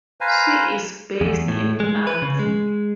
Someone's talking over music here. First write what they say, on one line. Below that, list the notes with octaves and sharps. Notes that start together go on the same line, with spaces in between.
She is based in Bath.
B4 C5 F5 G#5 A#5
E2
A2
G#3
B4
C#3
G#3